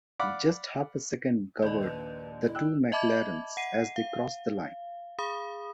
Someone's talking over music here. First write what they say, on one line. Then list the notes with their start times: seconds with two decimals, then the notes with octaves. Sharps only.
Just half a second covered the two McLarens as they crossed the line.
0.19 D5 F5 F#5 B5 D6
1.62 A#1 D#2 D5 D#5 B5 G6
1.80 B4
2.42 E4
2.55 G5 E6 F#6
2.92 D#5 E5 A5 B5 D6 G#6
3.57 F#5 C7 D#7
3.96 F5
5.19 G#4 F5 B5 D#6